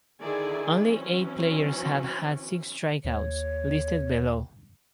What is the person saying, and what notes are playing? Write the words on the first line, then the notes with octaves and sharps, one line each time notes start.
Only eight players have had six strikeouts, listed below.
D3 D#3 E4 G#4 D5 G#5
E3 F#3 C4 C#4
D#2 C#5